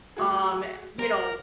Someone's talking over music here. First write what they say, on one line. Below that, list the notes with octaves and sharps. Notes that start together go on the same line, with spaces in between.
um, you know,
A3 F#4 G#4
G3 A#4 C5